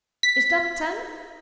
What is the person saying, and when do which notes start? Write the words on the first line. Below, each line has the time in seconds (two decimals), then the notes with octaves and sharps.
"Is that ten?"
0.23 B6